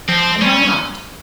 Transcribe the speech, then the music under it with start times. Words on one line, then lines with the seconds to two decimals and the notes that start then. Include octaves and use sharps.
"And why not?"
0.09 F3 C4
0.42 G3 C#4